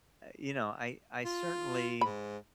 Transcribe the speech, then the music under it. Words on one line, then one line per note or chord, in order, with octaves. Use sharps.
you know, I I certainly
F4
G#2 B5